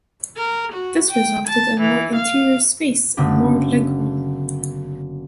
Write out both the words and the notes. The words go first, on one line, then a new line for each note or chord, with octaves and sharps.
This resulted in more interior space, and more legroom.
A#4
F#4
G5
A5
E3
F5
F#1 D3 B3 D4 G4